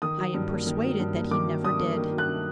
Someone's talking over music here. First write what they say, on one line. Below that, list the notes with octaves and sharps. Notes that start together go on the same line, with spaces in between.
"I am persuaded that he never did."
D#3 D#6
F#3
G2
A#3
D#3
F#3
G2
A#3
D#3 D6
F#3
G2 D#6
A#3
D#3
F#3
F#6